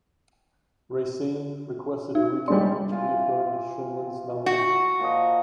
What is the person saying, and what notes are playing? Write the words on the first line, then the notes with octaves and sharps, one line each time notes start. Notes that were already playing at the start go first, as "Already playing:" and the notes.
Racine requested a recount, which reaffirmed Shumlin's nomination.
D#4
G3 G#3 D4 C6
E3 F4
F#4
A#2 F3 D#5